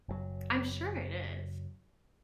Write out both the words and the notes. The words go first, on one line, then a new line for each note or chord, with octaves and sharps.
I'm sure it is.
F#1 F#2 B2 F#3